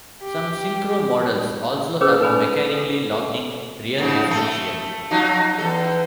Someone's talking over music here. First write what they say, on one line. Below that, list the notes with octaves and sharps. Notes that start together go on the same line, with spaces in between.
Some syncro models also have a mechanically locking rear differential.
G4
C#4 G#4 B4 C5 D#6 E6
D#4 A4 B4 G#5 B5
A4
G#2 C#3 F3
A3 A4
F3 F#3 D#4
E2 A4